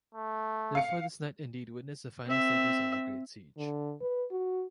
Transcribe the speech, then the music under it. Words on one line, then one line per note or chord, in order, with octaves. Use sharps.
Therefore, this knight indeed witnessed the final stages of the Great Siege.
A3
F5 C#7
C4 E5
D3
B4
F#4